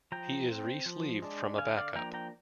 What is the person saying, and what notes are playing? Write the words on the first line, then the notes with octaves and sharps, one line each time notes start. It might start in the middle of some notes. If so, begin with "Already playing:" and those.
He is resleeved from a backup.
F3 G5 A#5
C4
F3
G#3 D4
D3 F5 G#5
D5 F5
F3 A#3 D4 G5 A#5
G5 A#5